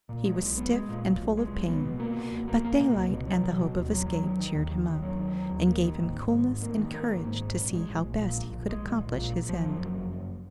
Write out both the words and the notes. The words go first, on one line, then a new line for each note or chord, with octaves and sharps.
He was stiff, and full of pain, but daylight and the hope of escape cheered him up, and gave him coolness and courage to see how best he could accomplish his end.
A#2
G#3
B1
B3
G#3
A#2
B1
B1
G#3
B1
B3
B2
A#3
B2
C#2
A#3
A#3
B2
C#2
B2
F#3
B2
B2
D#2
F#3
F#3
D#3
D#3
D#2
D#3
D#2
F#3
D#3
F#3
D#2
A#3
D#3
G#1
G#1
G#2
G#1
A#3
D#3
A#3
G#1
G#2
G#1
A#1
G#3
A#1
A#1
A#2
A#1
A#1
G#3
A#1
A#1
A#2
A#1
F3
F#2
F#1
F#1
F#1